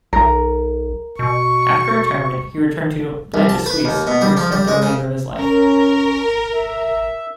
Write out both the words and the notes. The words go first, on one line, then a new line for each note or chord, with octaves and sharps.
After retirement he returned to Blanchisseuse where he spent the remainder of his life.
B1 A#4
B2 C#6
C2
A5
B4
D#2
B2
G3
F3
G3
G#3
C#3
C#4 A#4
E5